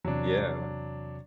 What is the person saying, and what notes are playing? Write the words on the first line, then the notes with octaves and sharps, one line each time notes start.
Yeah, like
E2 C3 F#3 D4